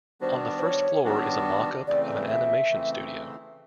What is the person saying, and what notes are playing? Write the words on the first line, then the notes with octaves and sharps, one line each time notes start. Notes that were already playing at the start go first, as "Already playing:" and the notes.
On the first floor is a mock-up of an animation studio.
D#3 G3 B3 D4 F#4 C5
C5
C#5
D#3 G3 B3 D4 F#4
C#3 E3 A3 C4 D5
E5
C#3 E3 A3 C4